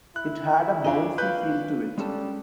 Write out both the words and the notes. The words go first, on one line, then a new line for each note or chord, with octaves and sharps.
It had a bouncy feel to it.
E4 F#6
D4 F4 C#5 D#5
B4 F5 F#6 G6
G3 G#3 C#4 A4